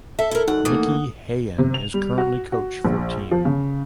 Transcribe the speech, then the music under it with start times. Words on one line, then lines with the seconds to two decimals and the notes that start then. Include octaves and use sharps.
Nicky Hayen is currently coach for team.
0.19 A4 E5
0.31 E4 A#4
0.48 F#2 D#4 A4 F#5
0.65 E3 A3 A#3 D#6
1.58 C3
1.74 F7
1.94 G3
2.18 F#4
2.52 F#4
2.85 A#1
3.31 F3
3.45 C#3